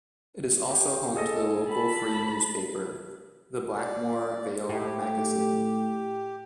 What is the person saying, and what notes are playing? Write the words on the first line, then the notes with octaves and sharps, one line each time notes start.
It is also home to the local free newspaper, the Blackmore Vale Magazine.
G4
G#4 A4 D#5
A5 B5
D5
A2 G4